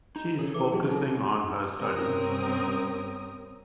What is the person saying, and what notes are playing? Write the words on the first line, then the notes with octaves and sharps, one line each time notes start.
She's focusing on her studies.
D#4
C#3 G#4 A4
E3 D6
F#3 C#4 D#4 G#4
C#3 F#3 D#4 A4
G2 C3 C4 C#4 A#4 D#6